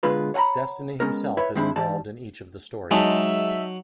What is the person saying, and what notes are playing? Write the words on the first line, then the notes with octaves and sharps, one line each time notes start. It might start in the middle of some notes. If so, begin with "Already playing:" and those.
Destiny himself is involved in each of the stories.
B2 D3 G#3 B3 F4 B4
C#5 F#5 G#5 A#5 B5
G#3 B3 C#4 A#4
E4 B4 C#5 E5
D#3 G3 G#3 C4 D4 E4
G#2 E3 G4 D5 A5
F#3 G#3 D#4 E5 A5